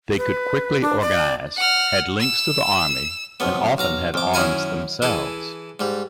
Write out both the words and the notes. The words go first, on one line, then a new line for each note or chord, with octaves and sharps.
They could quickly organize, had links to the army, and often had arms themselves.
B4
D4
D5
F#5 F6
E6
B1 F2 B3
B1 F5 A#5
F2 D6
F#2 D#3 E4 A#4 G#5 C#6
E3 E4 G#4 A4
G#2 G3